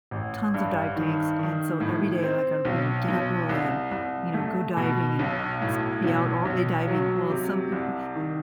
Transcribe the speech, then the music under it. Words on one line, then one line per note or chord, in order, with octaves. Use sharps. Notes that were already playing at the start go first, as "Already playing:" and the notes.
tons of dive tanks, and so every day, like, uh, we would get up early and, you know, go diving and s be out all day diving. Well, some m m
A1
G2
D#3
D#3
A2
C4
B1
B1
C2
C2
A3
B2
B1
A2
B1
B1
F#3
C3
C2
D#3